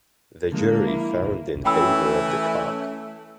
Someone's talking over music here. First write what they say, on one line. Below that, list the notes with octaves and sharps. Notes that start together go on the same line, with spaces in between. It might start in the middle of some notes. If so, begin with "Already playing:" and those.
The jury found in favor of the cock.
D3 F3 G#3 A#3
E4
E3 A3 C#4 G5 B5 E6